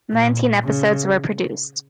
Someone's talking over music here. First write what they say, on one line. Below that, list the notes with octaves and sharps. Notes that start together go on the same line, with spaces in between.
Nineteen episodes were produced.
A#2
C#3